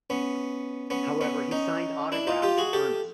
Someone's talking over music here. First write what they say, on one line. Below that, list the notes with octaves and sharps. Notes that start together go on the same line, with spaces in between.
However he signed autographs Ernest.
B3 C#4
B3 C#4
B3 C#4
C#4 D#4
D4 E4
D#4 F4
F4 G4
F#4 G#4
G4 A4